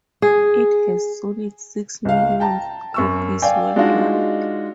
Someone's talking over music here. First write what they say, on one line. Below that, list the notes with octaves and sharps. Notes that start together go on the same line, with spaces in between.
It has sold six million copies worldwide.
G#4
C#2 F5
G5 A5 A#5
F#2 C#6 E6
D5 F5 G5 G#5
G#3 D4 D#4 F4 F#4